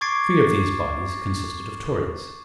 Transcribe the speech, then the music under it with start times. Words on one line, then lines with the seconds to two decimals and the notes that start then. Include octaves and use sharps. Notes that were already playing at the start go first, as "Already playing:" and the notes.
Three of these bodies consisted of Tories.
0.01 C#6 D6 G#6 A6 C7 D7